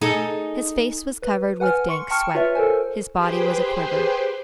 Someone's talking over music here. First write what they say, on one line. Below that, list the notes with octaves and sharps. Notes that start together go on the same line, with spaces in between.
His face was covered with dank sweat, his body was aquiver.
D#4 G#4 A4
B4
B4 F#5 G#5 F6
C6 C#6 C#7
G5 A5 C#6 F6 C#7
F4 B4 C#5 E5
A4 A#4 C5 G#5
G4 G#4 B4 C5 G5 C6